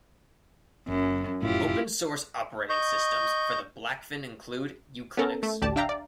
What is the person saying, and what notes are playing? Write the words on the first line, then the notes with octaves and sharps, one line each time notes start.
Open-source operating systems for the Blackfin include uClinux.
F#1 F#2
F1 F#2 A2 E4 F4 G4
D#5 C#6 G6
B3 C#4 A4 A#4
A3
A1 D2 G4 D5 A5
D4 E5 F5 G5 A#5
D5